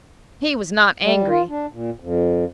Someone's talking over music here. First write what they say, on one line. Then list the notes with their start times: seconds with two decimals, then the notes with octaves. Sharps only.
He was not angry.
1.02 G3
1.28 F4
1.49 D4
1.73 A#2
2.00 F2